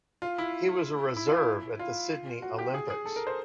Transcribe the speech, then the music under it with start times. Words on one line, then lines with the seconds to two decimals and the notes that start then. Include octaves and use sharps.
He was a reserve at the Sydney Olympics.
0.22 F4
0.38 E4
1.16 E4
1.27 F4
1.37 E4
1.79 F4
2.42 F#4
2.58 G4
2.74 G#4
2.90 G#4
3.06 A4
3.16 A#4
3.27 C5